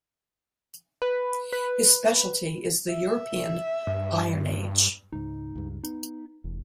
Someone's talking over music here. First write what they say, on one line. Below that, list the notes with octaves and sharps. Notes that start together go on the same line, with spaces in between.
His speciality is the European Iron Age.
B4
B4
E5
G2
C#2 G#2 D#4
C#2 G2
B3 D#4
F1 E2